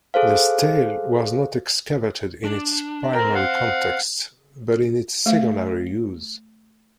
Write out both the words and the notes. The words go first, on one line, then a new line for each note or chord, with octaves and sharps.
The stele was not excavated in its primary context, but in its secondary use.
G#4 A4 C5 F5
D4
A#4 C5 G5
F5 F#5
A3 F5